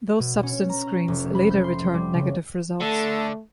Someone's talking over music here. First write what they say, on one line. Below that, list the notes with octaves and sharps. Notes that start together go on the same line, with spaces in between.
Those substance screens later returned negative results.
B2
C#4
A#5
F1
B5
G6
C6
G3
C#3
D3 A3 A4